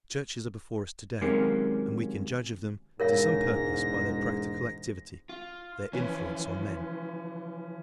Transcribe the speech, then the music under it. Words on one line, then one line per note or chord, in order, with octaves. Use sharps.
The churches are before us to-day, and we can judge of them to some purpose by their practical activity, their influence on men.
C3 D#3 F#3 G#3 A#3 C#4
E1 G#2 A#4 C#5 F5 A#6
F4
E3 F3 C#4 B4